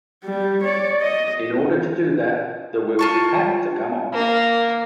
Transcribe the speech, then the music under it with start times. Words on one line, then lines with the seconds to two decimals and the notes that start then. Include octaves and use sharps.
In order to do that, the wheels had to come off.
0.24 G3
0.63 C#5 D5
1.01 D#5
2.99 F4 A5 C#6
4.13 A#3